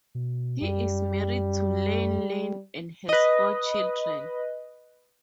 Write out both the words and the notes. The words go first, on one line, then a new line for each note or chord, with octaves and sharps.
He is married to Lenlen and has four children.
B2
F#2 G3
B4 D#5